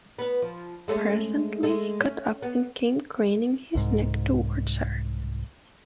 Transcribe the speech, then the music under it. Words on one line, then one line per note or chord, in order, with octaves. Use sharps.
Presently he got up and came craning his neck towards her.
B3 B4
F3
G#3 A3 C#4
G#3 A3
C#4
B3
C2 G#2